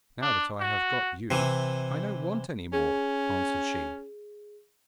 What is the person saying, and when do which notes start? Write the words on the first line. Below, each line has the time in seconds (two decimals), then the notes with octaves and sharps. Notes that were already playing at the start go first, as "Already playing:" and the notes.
'Now that I have got you, I don't want any more,' answered she.
0.22 D4
0.60 F#4
1.31 C3 E3
2.73 C#4 G#4